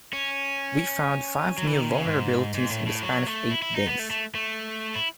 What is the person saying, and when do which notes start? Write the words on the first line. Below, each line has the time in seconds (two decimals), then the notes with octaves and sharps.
We found five new vulnerabilities in the span of eight days.
0.13 C#4
1.58 F#3
1.67 E3
1.73 D#3
1.89 C#3
2.06 G#2
2.54 G#2
2.70 A2
2.86 A2
3.02 F#3
3.26 A3
3.51 E4
3.62 E4
3.74 D#4
3.87 B3
3.99 A3
4.10 A3
4.35 A3
4.96 E4